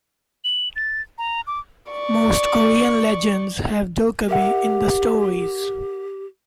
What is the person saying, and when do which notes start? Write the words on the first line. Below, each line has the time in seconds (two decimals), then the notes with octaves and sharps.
Most Korean legends have Dokkaebi in the stories.
0.44 F#7
0.76 A6
1.18 A#5
1.47 D6
1.92 D5 C#6
4.29 G4 A#4 E5 F#5